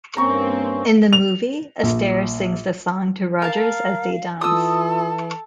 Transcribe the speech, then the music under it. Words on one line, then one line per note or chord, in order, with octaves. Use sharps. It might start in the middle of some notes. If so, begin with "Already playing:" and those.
In the movie, Astaire sings the song to Rogers as they dance.
G2 A#3 C4 C#4 A#5 C#6
F7
A#1
A#4 F5 A5
E3 F4 A4 D#6 E6